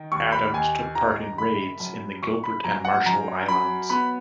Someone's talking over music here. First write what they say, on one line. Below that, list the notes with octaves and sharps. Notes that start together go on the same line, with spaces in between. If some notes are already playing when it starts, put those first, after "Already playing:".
Adams took part in raids in the Gilbert and Marshall Islands.
Already playing: D#3
D#2 C#6
B5
D#2 G#5
D#3 A#5
F#1 B5
F#2
F#1 C#6
B5
F#2 A#5
F#5
F#2 A#5
F#3 B5
B3 B5